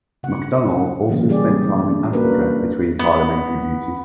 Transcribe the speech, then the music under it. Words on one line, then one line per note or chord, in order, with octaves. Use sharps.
MacDonald also spent time in Africa between parliamentary duties.
C#3 F#5
C3 E3 F#3 G#3 A#3 C#4
G3 G4 G#4 D5
A#3 C#4 D4 F#4 A#4 B4
B3